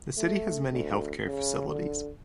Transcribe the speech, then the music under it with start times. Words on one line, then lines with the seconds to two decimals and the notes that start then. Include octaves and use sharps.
The city has many healthcare facilities.
0.17 A3
0.71 D2
1.25 C#3
1.69 D3